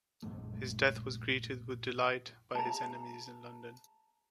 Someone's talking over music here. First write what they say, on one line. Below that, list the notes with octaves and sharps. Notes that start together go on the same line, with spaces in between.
His death was greeted with delight by his enemies in London.
A#1 F#2 G#3 A3
A5 A#5